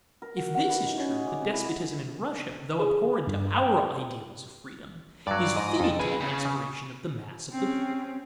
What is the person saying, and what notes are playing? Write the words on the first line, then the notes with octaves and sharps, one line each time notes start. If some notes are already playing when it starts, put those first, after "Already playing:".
If this is true, the despotism in Russia, though abhorrent to our ideals of freedom, is fitted to the aspirations of the mass of the people.
A#4
F#4
F#5
E3
D#4
C#4
G#4
D6
C3
E4
G#4
G2
G5
G2 F#3 D5
G#2 D#5
F2 A5
G#4 B4 G#5
C#3 C#4
C#3
C4 C#4